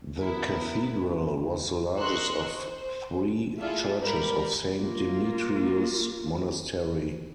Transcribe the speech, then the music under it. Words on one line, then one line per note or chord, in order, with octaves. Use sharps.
The cathedral was the largest of three churches of Saint Demetrius Monastery.
B3 E4 A#4
A#4 D#5 C6 C#6 E6 F#6
C5
E4 F4 G#4 A4 D5 E5
G#2 G3 A#4 D5 B5
A#3 F4